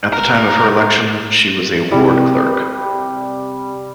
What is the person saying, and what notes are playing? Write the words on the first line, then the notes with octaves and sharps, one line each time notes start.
At the time of her election, she was a ward clerk.
A#4
C3 G3 E4